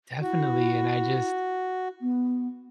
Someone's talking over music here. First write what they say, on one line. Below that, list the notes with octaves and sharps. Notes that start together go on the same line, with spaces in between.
Definitely, and I just
E4 F#4
B3